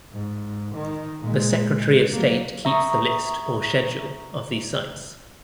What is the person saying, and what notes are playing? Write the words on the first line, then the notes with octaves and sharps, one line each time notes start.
The Secretary of State keeps the list, or schedule, of these sites.
G#2
D#3
A#2 G#3
F#3 A#3
E5 A#5 C#6 D#6